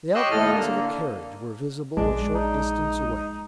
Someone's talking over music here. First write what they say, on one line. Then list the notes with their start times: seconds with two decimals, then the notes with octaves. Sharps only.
The outlines of a carriage were visible a short distance away.
0.15 G4 C#5 D#5 C6 E6 F#6
0.31 D#2 A2 A4 D#5 F6
0.53 D3 A#3
1.97 A#1 G#3 D4
2.35 D#4